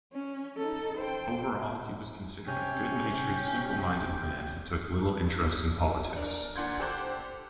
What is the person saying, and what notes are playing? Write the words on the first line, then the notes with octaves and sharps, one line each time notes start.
Overall, he was considered a good-natured, simple-minded man who took little interest in politics.
C#4
D#4 A4
C5 G5
C3 C#4 G5
D4 A#4
A#2 D4 F#5 C6 G6 G#6
G4 A4 C5 D6 F#6 G6